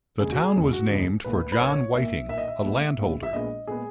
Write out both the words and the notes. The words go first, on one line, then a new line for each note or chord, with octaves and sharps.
The town was named for John Whiting, a landholder.
E1 D#2 C#3 G#3 G#4
F#4
G#4
E1 D#2 C#3 G#3
F#4
E1 D#2 C#3 G#3
B1 A#2 A#3 B4
B4
B1 A#2 A#3 C#5
B1 A#2 A#3 E5
B1 A#2 A#3 E5
D#5
E5
A#1 A#2 G#3 B3
A#1 A#2 G#3 B3
E5
A#1 A#2 G#3 B3 D#5
A#2 G#3 B3 G#4